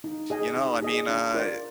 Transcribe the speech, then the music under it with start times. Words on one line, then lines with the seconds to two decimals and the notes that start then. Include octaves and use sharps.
you know, I mean, uh,
0.04 D#4
0.30 G#4 D#5 G#5
0.57 D#4
0.82 G#4 D#5 G#5
1.09 D4
1.34 F4 A#4 D5